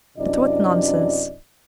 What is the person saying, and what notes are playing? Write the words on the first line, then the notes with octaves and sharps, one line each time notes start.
But what nonsense....
F#2 C3 D4 E4 D5 D#5